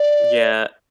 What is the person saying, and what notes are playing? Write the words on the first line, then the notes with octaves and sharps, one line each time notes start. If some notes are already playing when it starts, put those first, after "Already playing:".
Mm yeah.
Already playing: D5